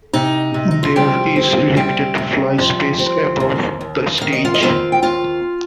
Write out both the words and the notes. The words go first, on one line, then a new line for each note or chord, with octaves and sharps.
There is limited fly space above the stage.
C3 D#4
C3
D#4
F4
F3 G3 G4
C4
C3 G3 G4
C3
F3
C4
D#2
D#2
D#3 F5
D#5
F4 F5
D#5
C4 F4 F5
G5
D#2 F4 F5